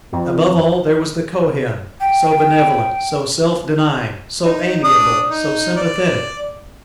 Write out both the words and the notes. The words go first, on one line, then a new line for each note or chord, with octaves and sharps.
Above all, there was the Kohen, so benevolent, so self-denying, so amiable, so sympathetic.
F2
G5
D#4
D4 D#6
D#4
D5